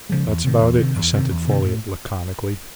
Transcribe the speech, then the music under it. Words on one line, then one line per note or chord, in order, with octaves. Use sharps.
"That's about it," assented Folliot laconically.
C#3 F3 G#3
E2
C3 D#3
E2
C3 D#3
E2
C3 D#3
E2
C3 D#3
A2